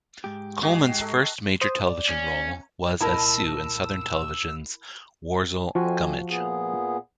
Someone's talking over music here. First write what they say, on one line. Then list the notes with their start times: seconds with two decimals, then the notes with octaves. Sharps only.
Coleman's first major television role was as Sue in Southern Television's "Worzel Gummidge".
0.24 G#2 G4
0.63 F#4 G#4 D#5 G5 C7
1.00 A4 D#5 A#5
1.61 C5 D#6
1.89 D5
2.09 C#4
3.01 C2 A#2 E4 A#4 D#5 A5 E6
5.75 F2 F3 C4 F4 F#4 G#5
6.29 A#2 B3 G#4